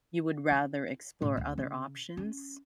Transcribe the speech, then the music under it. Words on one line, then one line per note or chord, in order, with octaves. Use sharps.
you would rather explore other options?
E4
A2
D2
C#3
C#4